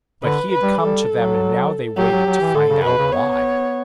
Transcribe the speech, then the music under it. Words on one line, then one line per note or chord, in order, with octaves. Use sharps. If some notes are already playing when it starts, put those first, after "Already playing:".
But he had come to them and now they waited to find out why.
D3 B4
B4
G3
G3 A4
F#3
F#3 G4
F#3
F#3
E3
D3 A4
C#3
B2 B4
C#3
B3 C#5